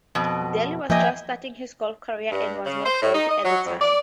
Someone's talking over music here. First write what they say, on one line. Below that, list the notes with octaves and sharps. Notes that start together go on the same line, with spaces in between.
Daly was just starting his golf career and was not wealthy at the time.
F2 B2
E2 F3 A#3 D#5 E5 G5 G#5
G2
C#3
C5
A2
D#4
D#5
F#3
F2
D5